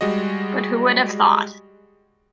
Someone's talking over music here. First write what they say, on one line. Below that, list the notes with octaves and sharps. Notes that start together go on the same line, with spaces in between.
But who would have thought?
G3 G#3 F#4 D#5